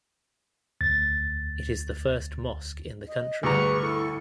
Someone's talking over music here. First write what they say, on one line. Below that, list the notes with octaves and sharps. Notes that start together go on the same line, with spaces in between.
It is the first mosque in the country.
D2 A6
D#5
D2 G2 G#4 B4 A#5 C#6
E4 A4